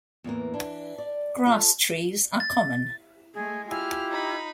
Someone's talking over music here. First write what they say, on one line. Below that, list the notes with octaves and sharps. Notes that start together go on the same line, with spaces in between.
Grass-trees are common.
E2 A2 E3 A#3
E3 D4
D5
F4 A4
A6
G#3 A3 G#4
E4 F4 G4 G#5 F6
D#4 B5